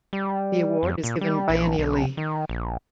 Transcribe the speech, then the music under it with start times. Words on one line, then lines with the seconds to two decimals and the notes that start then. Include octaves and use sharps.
The award is given biennially.
0.13 G3
0.83 F2
1.04 A#2
1.21 G3
1.49 A#1
1.78 B1
2.17 D#3
2.49 A#1